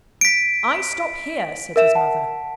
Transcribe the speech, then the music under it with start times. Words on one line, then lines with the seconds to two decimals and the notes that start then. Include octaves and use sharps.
'I stop here!' said his mother.
0.21 B6 D7
1.76 A#4 E5 E7
1.95 F#5 A5